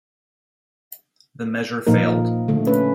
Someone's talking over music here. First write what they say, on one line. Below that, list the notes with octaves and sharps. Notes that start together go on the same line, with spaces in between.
The measure failed.
A#2 F3 A#3 D#4 A#4
D3 A3
C#4 B4